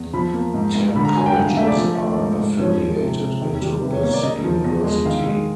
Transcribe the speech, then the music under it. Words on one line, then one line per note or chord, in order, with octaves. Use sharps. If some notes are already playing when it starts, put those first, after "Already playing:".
Ten colleges are affiliated into this university.
Already playing: E2
F3 B5
A#3
G#2
G#2
D3 B5
A#5
F#3 G#5
G5
G2 F#5
F5
A3 E5
D5
F3
A3
G#2
G#2
F3 C#5
G#3
C3
C3
D#3
G3
C3 B4
C#5
A#3 C#5
D5
C#3 D#5
F3
E2
G#3
D#3 F5
G#3